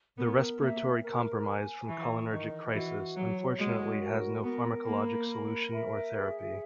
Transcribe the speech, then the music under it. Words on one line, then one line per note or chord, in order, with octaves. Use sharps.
The respiratory compromise from cholinergic crisis unfortunately has no pharmacologic solution or therapy.
B3 A#4
A#3 E5
A#4
G#5
E3 C#6
D#3 D#5
E3 F#4
F#3 C#5
G#3 F#4
A#4
B3 A#4
A#3 B5
A#4
E5
G#4